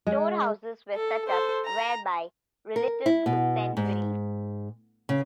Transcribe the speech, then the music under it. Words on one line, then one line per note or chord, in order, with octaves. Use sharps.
Storehouses were set up whereby relatives could send relief.
G#3
A4
A4 C5
A#5
A#4
E4
B2
G#2
C#3